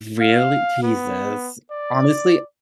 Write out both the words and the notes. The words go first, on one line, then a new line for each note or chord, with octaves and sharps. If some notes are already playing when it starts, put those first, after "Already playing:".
Really? Jesus. Honestly
F5
B3
D5